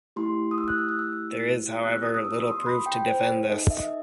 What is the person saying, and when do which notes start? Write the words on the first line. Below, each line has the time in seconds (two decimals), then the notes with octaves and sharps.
There is, however, little proof to defend this.
0.16 A3 E4 G4 C6
0.51 D#6
0.58 E6
0.68 F#6
0.78 E6
0.89 F#6
0.99 E6
1.82 B3 E4 G4 F#6
1.93 E6
2.03 D#6
2.14 D#6
2.25 E6
2.38 D#6
2.51 C6
2.66 B5
2.86 G5
3.07 C5
3.49 D#4 A4 D#5
3.60 D#5
3.70 E5
3.80 D#5